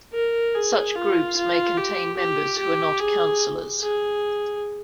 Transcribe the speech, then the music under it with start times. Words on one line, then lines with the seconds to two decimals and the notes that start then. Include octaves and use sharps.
Such groups may contain members who are not councillors.
0.13 A#4
0.55 G#4
0.96 F4
1.37 F4
1.77 G4
2.17 G4
2.59 G4
3.00 G#4
3.82 G#4